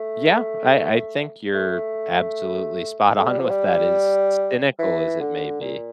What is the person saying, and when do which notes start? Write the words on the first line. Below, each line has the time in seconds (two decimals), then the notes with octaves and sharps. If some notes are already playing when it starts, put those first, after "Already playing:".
Yeah, I I think you're absolutely spot on with that, as cynical as it may be.
Already playing: A3
1.54 A3
3.17 A3
3.28 G3
3.39 F3
3.49 G3
4.79 E3
5.20 D3
5.61 A#2